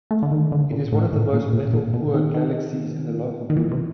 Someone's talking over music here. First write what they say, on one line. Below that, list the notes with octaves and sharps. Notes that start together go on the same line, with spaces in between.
It is one of the most metal-poor galaxies in the Local group.
A3
D3
D#3
D3
A#2
A2
A2
A#2
A#2
A#2
B2
D#3
D#3
D#3
E3
C3